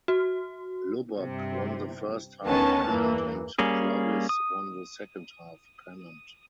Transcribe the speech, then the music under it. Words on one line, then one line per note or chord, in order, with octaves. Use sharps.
Lubbock won the first half pennant and Clovis won the second half pennant.
F#4
G2 C3
D2 D#3 B3 C#4 A5
E2 G2 E3 A#3
G3 A#3 C#4 G#4
D#6